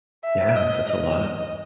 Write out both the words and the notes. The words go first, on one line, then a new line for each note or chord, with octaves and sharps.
Yeah, that's a lot.
E5
D#5
D#5